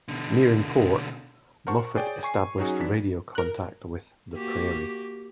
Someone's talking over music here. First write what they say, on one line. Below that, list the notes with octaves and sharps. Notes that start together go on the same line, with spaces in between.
Nearing port, Moffett established radio contact with the "Prairie".
B2 D3
A#4 C5 F#5 A5 C#6
G#4 C#5 D5 G5
G#5 C#6 C7
F#3 C#4 D#4 F#4 G#4
E3 D4 B6
A#4 F#6
A#3 F#4 G4